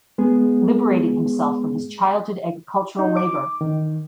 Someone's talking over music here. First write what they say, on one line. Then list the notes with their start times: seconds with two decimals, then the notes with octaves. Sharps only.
Liberating himself from his childhood agricultural labor.
0.18 G#3 B3 G#4
2.99 D#4
3.17 D6
3.61 D#3